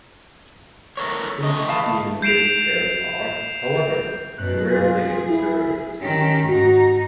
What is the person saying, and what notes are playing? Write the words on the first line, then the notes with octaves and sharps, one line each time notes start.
Hoogsteen base pairs are, however, rarely observed.
A4 A#4 C#5
A3 D#5
E3 F5 A5
G6 C7 D7 E7 F7
F#2 B2 F#6
F4 G#4
E4
D#3 C#4 G4
G#2 D#4 F#4